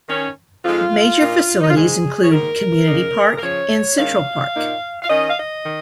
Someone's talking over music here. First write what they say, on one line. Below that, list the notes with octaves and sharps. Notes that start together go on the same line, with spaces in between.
Major facilities include Community Park, and Central Park.
D#3 C#4
F2 F3 G#3 D#4 F4
A#2 A#3 D#4
D#4
F4
G#2 D#3 G#3 G#4
C#5
G#2 D#3 A#3 A#4
C#3 A#3 D#4
A#4
C#3 F3 C#4 C#5
D#3 G#3 C#4 F5
A#2 A#3 D#4
F5
D#3 C#4 D#5
F5
D#5
D#3